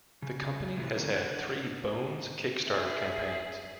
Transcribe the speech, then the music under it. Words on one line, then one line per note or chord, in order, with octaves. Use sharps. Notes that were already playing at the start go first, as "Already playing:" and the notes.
The company has had three "Bones" Kickstarter campaigns.
C#3
A2 C3 E3 F4
D3 A#3 C#4 A#4
D4 F#5
G#4 E5